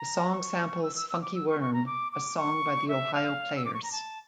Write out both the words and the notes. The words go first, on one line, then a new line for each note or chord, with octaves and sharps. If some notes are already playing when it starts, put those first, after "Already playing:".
The song samples "Funky Worm", a song by the Ohio Players.
Already playing: A#5
C#6
E6
E6
E6
D6
E6
C#6
C#6
A#5
D6
D6
C#6
E5
F5
E6
D6
C#6
A#5
A5